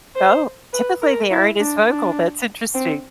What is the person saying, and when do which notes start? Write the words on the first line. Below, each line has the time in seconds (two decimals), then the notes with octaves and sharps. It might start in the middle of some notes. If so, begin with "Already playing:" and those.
Oh, typically, they aren't as vocal, that's interesting.
0.16 C5
0.73 B4
1.02 A#4
1.31 E4
1.60 D4
1.89 D4
2.75 C4